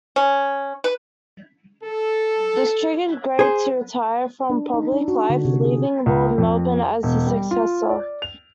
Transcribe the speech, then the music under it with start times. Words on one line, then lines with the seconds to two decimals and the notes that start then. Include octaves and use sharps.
This triggered Grey to retire from public life, leaving Lord Melbourne as his successor.
0.16 C#4
0.84 B4
1.84 A4
3.39 G#4 C5
4.50 D4
4.74 D#4
4.92 D4
5.08 F#4
5.30 D3
5.45 C3
5.64 G#4
6.06 C#2
6.38 F2
7.03 E1
7.27 G3
7.51 F4
7.90 D5
8.22 F7